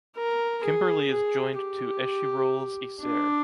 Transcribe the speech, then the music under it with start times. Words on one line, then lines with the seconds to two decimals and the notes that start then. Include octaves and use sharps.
Kimberley is joined to Échirolles, Isère.
0.17 A#4
0.64 G#4
1.11 G#4
1.59 G4
3.01 D4